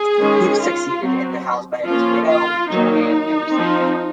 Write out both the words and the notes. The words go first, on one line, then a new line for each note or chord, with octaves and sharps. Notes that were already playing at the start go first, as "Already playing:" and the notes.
He was succeeded in the House by his widow, Jo Ann Emerson.
Already playing: G#4
D#3 G#3 C#4
F4
F#3 C4
F3 A#3 C#4 F4
F4
D#3 F#3 A#3 D#4
F3 C4